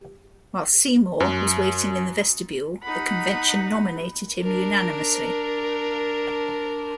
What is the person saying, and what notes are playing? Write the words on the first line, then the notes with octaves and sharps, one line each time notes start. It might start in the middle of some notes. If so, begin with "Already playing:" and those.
While Seymour was waiting in the vestibule, the convention nominated him unanimously.
F#2
D#4 F#5 B5
D4 A#4